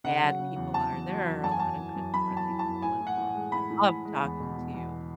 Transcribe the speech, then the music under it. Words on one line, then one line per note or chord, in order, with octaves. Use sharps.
bad people are, there are a lot of good friendly people in the world that love talking to you.
C#3 F#5
F#3
C#3
E2
E2 A5
E2
F#3
E2
F#2 A5
G#5
F#2 A5
E3
F#2
F#2 B5
F#2
A5
E3
A5
F#2
A2 G#5
A2
F#5
A2
G#3
A2 B5
A2
A2
G#3
E2
B2
E2
E2